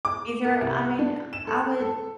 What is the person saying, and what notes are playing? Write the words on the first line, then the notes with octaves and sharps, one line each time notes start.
Either I mean, I I would
D6
A#4
C2
D4
E7
A4
A4